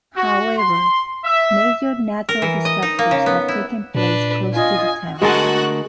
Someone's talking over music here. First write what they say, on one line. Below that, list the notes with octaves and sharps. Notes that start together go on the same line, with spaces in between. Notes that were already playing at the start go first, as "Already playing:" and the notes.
However, major natural disasters have taken place close to the town.
F#4
C6
E5
A#4
E3
D#5
D#4
A#3
C#3
B3
E4
A#2 D4 B4
F4 D#5 G#5
D2 G#3 F#4 G#4 A#4 G#5 A5 F#6